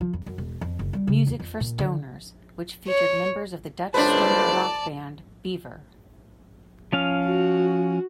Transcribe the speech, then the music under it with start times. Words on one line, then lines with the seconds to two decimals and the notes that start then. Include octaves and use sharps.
Music for Stoners which featured members of the Dutch stoner rock band Beaver.
0.01 F3
0.13 F2
0.26 F#2
0.38 E1
0.61 F2
0.79 F#1
0.93 G3
1.07 C#3
1.27 E2
1.40 F2
1.60 A#2
1.79 D3
2.88 C#5
3.94 F#1 C#2 D4 B4 C5 D5 A5
6.92 F3 C#4 F5
7.26 F#4